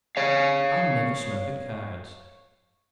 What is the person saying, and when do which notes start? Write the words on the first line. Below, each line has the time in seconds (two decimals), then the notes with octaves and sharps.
"I never smoke at cards."
0.17 C#5 F5